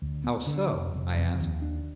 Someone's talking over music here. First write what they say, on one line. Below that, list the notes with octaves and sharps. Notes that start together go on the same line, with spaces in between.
"How so?" I asked.
D2
B3
D3
F1
F1
F2
D#2
D4